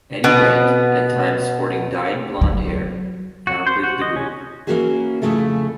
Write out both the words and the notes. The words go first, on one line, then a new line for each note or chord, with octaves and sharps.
Eddy Grant, at times sporting dyed blond hair, founded the group.
B2 B3
F#3
F#4
C5
F#4
D#5
C#4
E3 F3 A#3 C#4 F#4 G#4
F2 A#2 C#3 A3 E4 A4